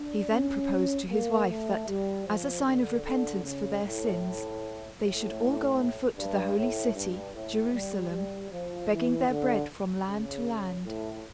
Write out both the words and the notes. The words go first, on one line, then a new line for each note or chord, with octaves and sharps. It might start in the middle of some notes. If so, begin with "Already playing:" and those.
He then proposed to his wife that, as a sign of repentance for their sins, they should all go on foot to the holy city, Jerusalem, begging their bread from land to land.
Already playing: D4
C#4
A#3
A3
G3
F3
D3
D3
C#3
A2
A2
G2
A2
G2
A2
G3
G3
F3
E3
D3
C#3
A2